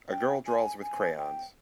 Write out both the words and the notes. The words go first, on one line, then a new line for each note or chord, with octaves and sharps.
A girl draws with crayons.
G5
G#5
G#5
G5